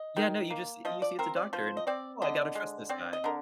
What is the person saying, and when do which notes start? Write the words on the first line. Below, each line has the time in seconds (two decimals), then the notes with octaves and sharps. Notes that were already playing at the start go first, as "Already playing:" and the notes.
Yeah, no, you just you see it's a doctor and, "Oh, I gotta trust this guy."
Already playing: D#5
0.17 D#3
0.50 A#3
0.85 F3 D#5
1.02 D5
1.19 C4 A#4
1.36 D5
1.53 F3 C5
1.77 D#5
1.87 C4 D5
2.22 D3 D#5
2.55 G#3
2.89 C4 D5
3.13 D#5
3.24 D3 A#4